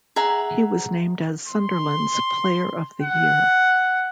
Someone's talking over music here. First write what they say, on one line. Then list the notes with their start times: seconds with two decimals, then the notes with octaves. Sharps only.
He was named as Sunderland's Player of the Year.
0.16 G#4 E5 F#5 A#5
1.47 C6
3.02 F#5